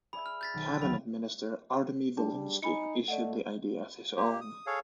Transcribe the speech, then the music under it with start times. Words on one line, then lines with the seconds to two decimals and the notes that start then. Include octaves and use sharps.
Cabinet Minister Artemy Volynsky issued the idea as his own.
0.13 G#4 D5 E5 B5
0.26 F6
0.41 G6 A6 B6
0.54 B1 D#3
0.66 G5 D#6 E6
0.82 D2 D#3 F#3 B5
2.17 G3 D4 G#4 A5
2.62 D#4 G#5 B5 C#7
3.08 A3 D5 D#5 F#5
4.17 A#3 G4
4.41 D#6
4.67 G#4 A4 C#5 F5